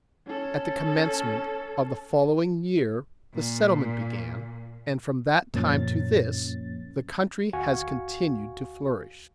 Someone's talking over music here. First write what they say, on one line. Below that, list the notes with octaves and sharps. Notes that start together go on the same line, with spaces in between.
At the commencement of the following year the settlement began; and from that time to this the country has continued to flourish.
C#4 A4
A#2
F#2 A#2 F3 A#3 C#4 A6
D2 F#4 F5 G#5 C#6